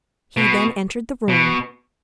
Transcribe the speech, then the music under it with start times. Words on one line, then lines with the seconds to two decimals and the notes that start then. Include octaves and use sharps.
He then entered the room.
0.37 B2
1.29 B2